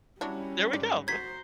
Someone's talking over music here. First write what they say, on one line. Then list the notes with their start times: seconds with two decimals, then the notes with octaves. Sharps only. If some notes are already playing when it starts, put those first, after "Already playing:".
There we go.
0.21 F#3 G3 C#4 D4 E4 F#4 C#5
0.73 G#2 D5
1.08 F#4 C5 A#5 G#6 B6